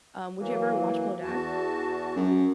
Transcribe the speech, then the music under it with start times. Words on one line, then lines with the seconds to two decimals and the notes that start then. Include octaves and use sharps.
rum, would you ever watch Below Deck?
0.39 E3 F#3 A#3
1.22 E2 F#4 A5
2.16 F#2